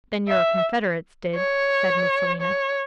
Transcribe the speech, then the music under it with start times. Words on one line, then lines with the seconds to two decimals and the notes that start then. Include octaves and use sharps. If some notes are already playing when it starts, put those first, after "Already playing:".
'Then your confederates did,' said Miss Selina.
0.28 E5
1.35 C#5
2.41 C#5